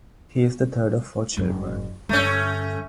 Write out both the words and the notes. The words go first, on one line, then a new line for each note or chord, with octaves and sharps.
He is the third of four children.
F#1 F#2
G2 D3 A3 C#4